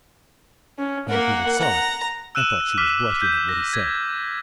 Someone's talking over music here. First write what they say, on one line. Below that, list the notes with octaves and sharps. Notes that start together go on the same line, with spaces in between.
Vancouver saw it, and thought she was blushing at what he said.
C#4
A#3 A#4 F#5
A#5
E6 F#6 D#7 E7 F#7
D6 F6 B6
G6
A#6
G#6